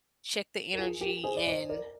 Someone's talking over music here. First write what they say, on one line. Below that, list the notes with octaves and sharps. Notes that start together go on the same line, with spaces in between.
check the energy, and
A#4
F4 G#4
G4 A#4
G#4 C5
D5
C5 D#5
A#4 D5